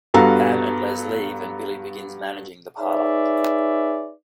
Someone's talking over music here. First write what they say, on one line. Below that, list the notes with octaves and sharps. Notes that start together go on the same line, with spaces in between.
Pam and Les leave and Billy begins managing the parlour.
G2 B3 F#4 A4 F5 A#5
D#4 G#4 B4 C#5 D5 E5